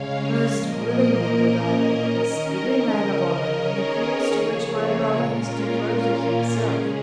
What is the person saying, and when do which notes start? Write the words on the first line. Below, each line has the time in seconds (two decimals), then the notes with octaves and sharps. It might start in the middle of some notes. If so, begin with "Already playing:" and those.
Most willingly would I enlist every man of honour in the cause to which my brother has devoted himself.
Already playing: C#3 G#3 C#4 C#5 F5
0.12 C#5 F5
0.51 A#2 F3 A#3 A#4 D#5
1.27 A#2 A#3 C#4
2.05 D#3 C#4
2.81 C#3 F3 C#4
3.58 D#3 C#4 G#4 C#5
4.34 C#3 F3 A#3
5.11 A#2 G#3 C#4 F4 A#4
5.89 A#2 A#3 C#4
6.65 C#3 G#3 C#4 G#4